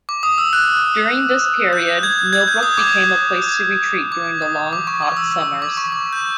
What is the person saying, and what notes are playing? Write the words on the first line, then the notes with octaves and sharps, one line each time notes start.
During this period, Millbrook became a place to retreat during the long, hot summers.
D6
D#6
E6
F#6
G6
G#6
G#6
G6
D#6
D6
D6
D#6
D6
C#6
D6
E6
E6
D6
C#6
D6
G6